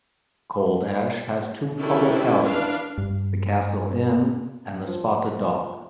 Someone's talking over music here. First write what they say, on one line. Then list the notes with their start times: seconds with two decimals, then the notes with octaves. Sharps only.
Cold Ash has two public houses, the Castle Inn and the Spotted Dog.
1.79 D#3 C#4 D4 E4 G4 A4
2.46 D4 B4 F5
2.98 G2
4.86 F3